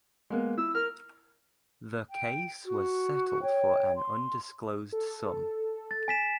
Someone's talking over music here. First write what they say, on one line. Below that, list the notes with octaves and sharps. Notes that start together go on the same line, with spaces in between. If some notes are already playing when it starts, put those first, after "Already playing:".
The case was settled for an undisclosed sum.
G#3 A#3 B3
E4 E6
A#4 F6
G5
F#4
C#5 G5
C6
A4
A6
G#5 B6 E7